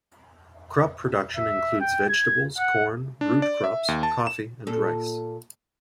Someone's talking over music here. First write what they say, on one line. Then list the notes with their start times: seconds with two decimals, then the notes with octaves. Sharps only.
Crop production includes vegetables, corn, root crops, coffee, and rice.
1.37 E5
1.81 G5
2.09 G#6
2.58 F#5
3.21 D4
3.42 D5
3.64 E5
3.88 D#2
4.03 A5
4.27 E7
4.67 A#2 A4